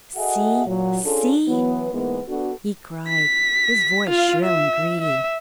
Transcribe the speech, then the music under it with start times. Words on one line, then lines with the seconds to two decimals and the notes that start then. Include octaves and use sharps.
"See, see!" he cried, his voice shrill and greedy.
0.16 F#4 G#4 A4 D#5 E5 F#5
0.66 A#2 F#3
1.03 C#4 D4 F4 G#4 A4
1.48 E3 F#3 B3
1.92 G#2 E3 G#3 A#3 B3
2.29 B3 D4 F#4 A4
3.09 B6
4.08 F4 F5
4.44 E5
5.01 E5